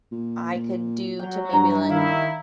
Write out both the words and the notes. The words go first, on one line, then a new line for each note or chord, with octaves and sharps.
I could do to maybe, like,
A#2
A#2
F#3 G5
G2 A#5
D#3 E4 E5 F5